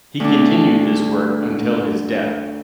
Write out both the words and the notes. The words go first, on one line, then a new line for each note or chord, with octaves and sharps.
He continued this work until his death.
D2 D4